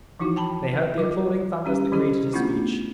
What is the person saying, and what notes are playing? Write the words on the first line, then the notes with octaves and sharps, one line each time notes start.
They heard the applauding thunders that greeted his speech.
E3 F3 D#4 E4 F#4
G5 A5 B5
F#3 F4 D6
G3 C#4 G4
D#3 F#3 C#4 E4 G4 G#4
A3 B3 C#4 D4 E4 F4